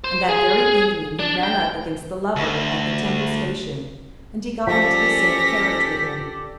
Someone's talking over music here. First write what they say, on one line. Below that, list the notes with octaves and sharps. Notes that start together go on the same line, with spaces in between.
And that very evening he ran up against the Lover at the Temple Station, and he got into the same carriage with him.
C5
G#4
D4
G5
D2
F3 C#4 G4 A4 D5 A#6 B6